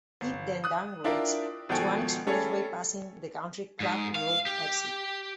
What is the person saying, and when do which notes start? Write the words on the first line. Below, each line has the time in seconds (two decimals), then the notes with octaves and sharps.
It then downgrades to an expressway passing the Country Club Road exit.
0.21 G1
0.64 D#6 F#6
1.04 D4 E4 F4 A#4 G5
1.69 G#1 B2 F3 A4 G5 G#5
2.27 G3 A3 C#4 G#4 A4 C#5
3.80 G#2
4.15 F5
4.46 G4